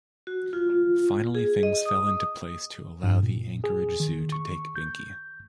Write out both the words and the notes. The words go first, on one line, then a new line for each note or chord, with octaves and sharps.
Finally things fell into place to allow the Anchorage zoo to take Binky.
F#4
F4
G#4
D#5
D#6
G2
A#2
G#4
D#3
C#6
G6